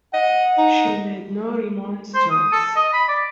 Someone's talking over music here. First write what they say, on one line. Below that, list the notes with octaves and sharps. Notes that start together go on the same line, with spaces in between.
She made no remonstrance.
D#5 F#5
D#4
C5
D#6
A4
D#5
B5
D5